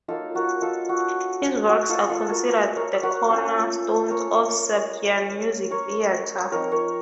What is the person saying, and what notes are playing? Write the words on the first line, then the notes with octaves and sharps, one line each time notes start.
His works are considered the corner stones of Serbian music theatre.
F#3 A#3 D#4 F4 A4
F#4 A#4
F4 A4
F#4
F#4
F4 A4
F4 A4
F#4 A#4
A4 C5
A#4 C#5
F#4 A#4
A#3 C#4 F4 A4 C5
A#4 C#5
A#4 C#5
F3 C4 D#4 A#4 C#5
A#4 C#5